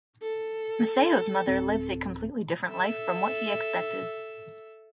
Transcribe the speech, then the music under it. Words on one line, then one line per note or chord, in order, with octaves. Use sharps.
Masao's mother lives a completely different life from what he expected.
A4
D1 C4
A4 E5